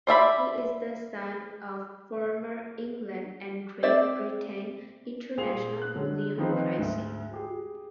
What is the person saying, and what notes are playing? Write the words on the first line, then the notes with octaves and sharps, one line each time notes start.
He is the son of former England and Great Britain international Leon Pryce.
C5 D5 E5 B5
C4 D5 E5
A#2 G#4 C5 F7
F#6
D3 F#3 G#3
D#3 F3 C4 D#4 B4 C5
D2 G#2
G4 G#4